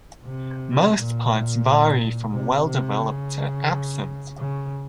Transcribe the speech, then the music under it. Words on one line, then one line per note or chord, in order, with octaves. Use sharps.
Mouthparts vary from well-developed to absent.
C3
A#2
C3
C3
C#3
C#3